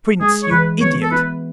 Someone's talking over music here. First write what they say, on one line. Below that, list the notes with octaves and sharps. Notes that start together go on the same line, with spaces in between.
"Prince, you idiot!"
G#3 G#4
C#5
E3 B4
B3 C#5
A4
E4 B4